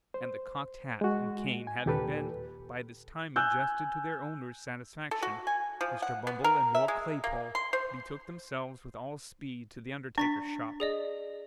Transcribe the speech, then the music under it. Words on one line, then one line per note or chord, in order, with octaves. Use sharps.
And the cocked hat and cane having been, by this time, adjusted to their owner's satisfaction, Mr. Bumble and Noah Claypole betook themselves with all speed to the undertaker's shop.
C5
G#3 F#4
G#5
D#2 A#2 G4 A4 B4
G#5 E6 F#6 G6
A4
F#4
G#5
F3
F#5
B3
A#4
E5
G#3
A#3
C6
C5
D4 C#6 A6 B6
G#4 D5 D#5